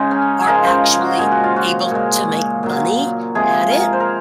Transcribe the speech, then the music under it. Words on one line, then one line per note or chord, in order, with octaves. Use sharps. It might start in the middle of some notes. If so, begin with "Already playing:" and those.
are actually able to make money at it.
Already playing: C#3 G#3 D#4
C#4
G#4
C#3 F3 G#3 A#4
C5
F#4
A#2 G#3 G#4
F#4
F4
F#4
A#2 G#3
A#2 F#3
C3 F3 G#3 G#4
A#4
C5
A#4